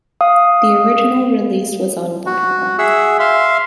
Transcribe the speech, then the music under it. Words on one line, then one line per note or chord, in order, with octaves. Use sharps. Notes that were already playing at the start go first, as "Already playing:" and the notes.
The original release was on vinyl.
F5 D#6
F#4
G#4 E5 F#5 E6
E5 F5 C6